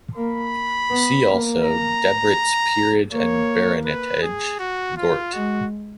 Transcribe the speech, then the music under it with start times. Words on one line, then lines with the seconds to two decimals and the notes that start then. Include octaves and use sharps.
See also "Debrett's Peerage and Baronetage" - Gort.
0.16 A#3 B5
0.90 B3
1.26 A#3
1.63 A#5
3.11 A#3 C#5
3.85 B4
4.22 G#4
4.59 F#4
4.97 F4
5.33 G#3 F#4